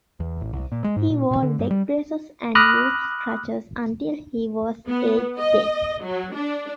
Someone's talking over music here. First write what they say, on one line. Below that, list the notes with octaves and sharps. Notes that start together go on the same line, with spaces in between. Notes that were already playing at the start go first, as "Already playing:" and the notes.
He wore leg braces and used crutches until he was aged ten.
E2
A1
C2
A#2
G#3
G#2
A#2
B2
D3
G2
G3
B5 D6 D#6 F6 F#6 A#6
B3
D#5
F#3
D4